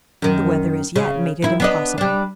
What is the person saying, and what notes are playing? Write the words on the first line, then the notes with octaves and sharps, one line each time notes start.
The weather as yet made it impossible.
F#2 D#3
C#3
D#2 E4
B3 D4 D#5
G3 D4